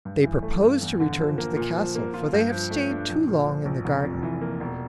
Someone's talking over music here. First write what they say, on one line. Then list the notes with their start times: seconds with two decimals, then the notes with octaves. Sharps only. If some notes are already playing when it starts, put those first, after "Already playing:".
They propose to return to the castle, for they have stayed too long in the garden.
0.05 G2
0.24 E3
0.43 A3
0.62 G2
0.81 E2
1.00 D3
1.19 F3
1.38 A#3
1.56 A#2
1.76 F3
1.95 A#3
2.14 F4
2.33 G2
2.52 F3
2.71 A3
2.90 D4
3.09 A#1
3.27 A#2
3.47 F3
3.65 A#1
3.85 F1
4.03 F2
4.23 E3
4.41 A#3
4.60 E1